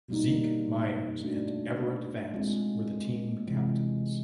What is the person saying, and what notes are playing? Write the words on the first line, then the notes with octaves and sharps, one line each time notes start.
Zeke Myers and Everett Vance were the team captains.
B2 G3 A#3 D#4
A3 D4 F#4
G#3 C4 F4
C3 E3 G#3